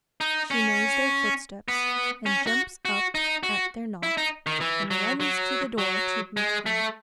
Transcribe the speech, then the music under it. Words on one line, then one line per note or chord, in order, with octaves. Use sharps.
She knows their footsteps, and jumps up at their knock, and runs to the door to meet them.
D#4
C#4
B3
C#4
F#4
F#4
D#4
F#4
E4
D#4
D#3
E3
F#3
F#3
F#3
G#3
A3